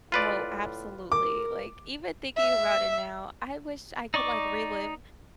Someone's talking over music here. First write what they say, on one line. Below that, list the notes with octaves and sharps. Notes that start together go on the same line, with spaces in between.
Oh, absolutely, like, even thinking about it now, I wish I could, like, relive
A2 F4 B4 D5
A#4 D6
E5
D#4 D5 C#6 D6